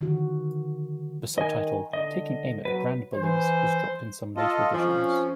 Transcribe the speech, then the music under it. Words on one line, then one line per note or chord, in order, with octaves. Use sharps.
The subtitle, "Taking Aim at the Brand Bullies", was dropped in some later editions.
D3 D#3 F3 F#4
D#3 D#5 G#5
D3 D#5
F#3 B4
E3 C5
F4 A4 D#5
F2 F3 C#4